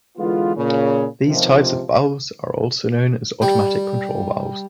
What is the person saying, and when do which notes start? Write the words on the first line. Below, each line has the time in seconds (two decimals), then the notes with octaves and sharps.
These types of valves are also known as Automatic Control Valves.
0.18 D3 E3 G#3 B3 F4
0.56 A#2 C#3
1.26 C#2 C3 D#3 F3
3.42 G3